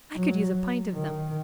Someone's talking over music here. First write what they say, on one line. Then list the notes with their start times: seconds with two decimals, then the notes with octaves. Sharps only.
I could use a pint of them!
0.15 F#3
0.94 D#3